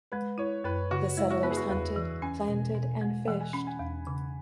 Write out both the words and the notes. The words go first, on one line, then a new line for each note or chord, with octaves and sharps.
The settlers hunted, planted and fished.
G#3 B4
E4 C#5
F#2 B4
C#3 F#4
G#3 E4
F#4
B3 B4
G#4
F#4
E2 B4
E3
C#4 G#5
B2
B2
G#3
E3 F#5
G#5
C#4 B5
G#5
E2
C#3